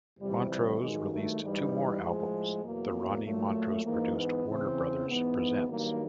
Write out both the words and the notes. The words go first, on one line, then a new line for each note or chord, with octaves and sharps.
Montrose released two more albums, the Ronnie Montrose-produced Warner Brothers Presents...
F2 C3 E3 G3
G3
G2 D#3 F#3 G#3
A3
G#2 E3 G3
A2 F3 G#3
E2 B2 F#3 A#3
A#2 F#3 A3
G#2 E3 A#3
B3
E2 C#3 E3 C4
G#2 E3 B3
G2 D#3 F#3 A#3